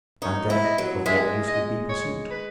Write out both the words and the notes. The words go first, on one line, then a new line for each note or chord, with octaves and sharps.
And then of what use would be pursuit?
D#4 C#5
E4
D#5
F#3
G#3 E5
D#5
C#5
B4